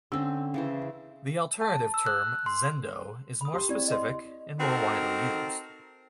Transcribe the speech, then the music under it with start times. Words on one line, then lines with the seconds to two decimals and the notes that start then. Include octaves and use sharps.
The alternative term "zendo" is more specific, and more widely used.
0.12 D3 C4 C#4 E6
0.54 C#3 E3 C5
1.61 A5
1.94 E6
2.06 F#6
2.46 C6
3.41 B5 D#6
3.54 G4 C6
3.69 C4 E4 G4 D5
3.88 D#5 C6
4.60 C4 D#4 F#4 A4 A#4